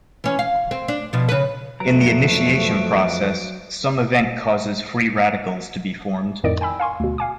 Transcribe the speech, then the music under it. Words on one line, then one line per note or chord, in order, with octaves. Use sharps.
In the initiation process, some event causes free radicals to be formed.
E3 C#4
F5
C4
D4
B2 F3
C#3 B4
F2 F3 F#3 A3 B4 A#5 D7
F2 A2 D#3 D5 D#5 D7
G5 G#5 B5 E6
F5 G#5 C6 C#6
D2 B2
F5 G#5 D6